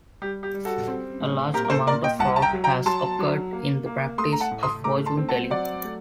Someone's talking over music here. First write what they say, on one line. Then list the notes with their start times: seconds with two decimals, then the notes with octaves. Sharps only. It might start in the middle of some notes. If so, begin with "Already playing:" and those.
A large amount of fraud has occurred in the practice of fortune-telling.
0.22 G3 G4
0.43 G4
0.54 G3
0.65 F#4 A4
0.88 C4
1.21 A2
1.54 A#2 G4 A#4
1.65 A#4
1.70 A4 C5
1.87 A#2 A#4 D5
2.04 D#5 G5
2.19 C2 F#5 A5
2.36 A5
2.42 G5 A#5
2.53 F#3
2.64 G5 A#5
2.86 F#3 A5 C6
3.19 F#3
3.53 A#3
3.86 A#3
4.18 A3 C6 D#6
4.32 A#5
4.40 F#5 A5
4.51 A2
4.63 C6 D#6
4.84 A3 A#5 D6
5.06 A5 C6
5.17 C4
5.29 F#5 A5
5.50 F#3 D5 F#5
5.84 A3